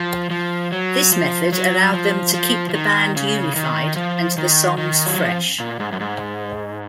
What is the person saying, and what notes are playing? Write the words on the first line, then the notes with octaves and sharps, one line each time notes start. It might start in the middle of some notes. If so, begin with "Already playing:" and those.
This method allowed them to keep the band unified and the songs fresh.
Already playing: F3
F3
F#3
F3
F#3
F3
F3
F3
D#3
C#3
D#3
F3
D#3
D#3
F#3
F3
A#2
G#2
F#2
G#2